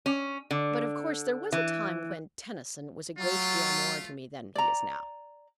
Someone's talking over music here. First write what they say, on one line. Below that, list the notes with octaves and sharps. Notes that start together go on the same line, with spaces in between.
'But of course there was a time when Tennyson was a great deal more to me than he is now.'
C#4
D3
E3
F#3 A3 F4
D5 A#5